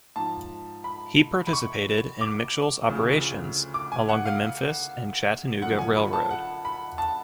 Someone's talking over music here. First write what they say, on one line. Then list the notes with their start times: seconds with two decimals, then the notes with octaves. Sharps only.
He participated in Mitchel's operations along the Memphis and Chattanooga Railroad.
0.16 G#2 F3 A5
0.84 B5
1.47 B5
1.53 C#6
2.21 D6
2.89 D2 C#3 F3
3.74 D6
3.92 G#5
4.09 F#5
4.25 F5
5.62 F#2 D3 F3 F#5
5.79 G#5
5.96 B5
6.13 A5
6.30 F#5
6.65 B5
6.98 A5